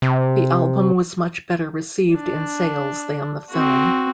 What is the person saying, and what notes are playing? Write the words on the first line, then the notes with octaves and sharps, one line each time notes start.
The album was much better received in sales than the film.
C3
D4
C4 F#4